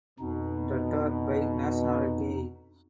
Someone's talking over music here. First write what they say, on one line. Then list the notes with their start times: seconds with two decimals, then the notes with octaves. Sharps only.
Tatar by nationality.
0.20 F2 B2 D#4